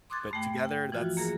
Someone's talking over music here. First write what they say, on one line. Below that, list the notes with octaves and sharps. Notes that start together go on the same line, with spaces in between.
but together, that's
C6 D6 D#6 F#6 G#6 A6
G2 A3 G5
G5
E3 F3 F4 F#4
A#3 G#4 A#4